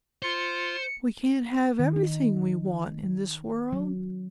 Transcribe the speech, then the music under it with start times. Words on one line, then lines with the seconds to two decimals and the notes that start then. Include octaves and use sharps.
"We can't have everything we want in this world."
0.23 F4 C5 C#7
1.79 D#3
1.96 D#4
3.73 F#3